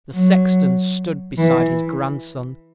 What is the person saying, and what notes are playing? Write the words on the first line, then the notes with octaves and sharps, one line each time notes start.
The sexton stood beside his grandson.
F#3
E3